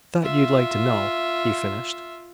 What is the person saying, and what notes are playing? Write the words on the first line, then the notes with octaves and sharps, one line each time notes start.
"Thought you'd like to know," he finished.
F4 E5